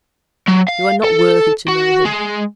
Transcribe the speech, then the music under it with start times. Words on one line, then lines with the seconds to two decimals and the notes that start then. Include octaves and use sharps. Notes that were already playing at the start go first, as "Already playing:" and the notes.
You are not worthy to know him.
0.48 F#3
0.68 F5
1.04 A4
1.68 F#4
2.05 G#3